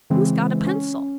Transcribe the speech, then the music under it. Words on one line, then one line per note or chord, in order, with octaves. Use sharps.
Who's got a pencil?'
C#3 E3 G#3 C4
C#4